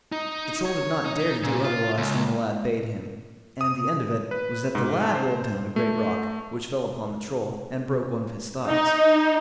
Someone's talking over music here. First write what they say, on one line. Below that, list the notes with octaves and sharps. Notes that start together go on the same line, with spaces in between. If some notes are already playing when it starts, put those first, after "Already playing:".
The Troll did not dare to do otherwise than the lad bade him, and the end of it was that the lad rolled down a great rock, which fell upon the Troll, and broke one of his thighs.
D#4
C#5
D#4
A#2
F4
C#2
D#6
B4
G#2
C5
A3
D#4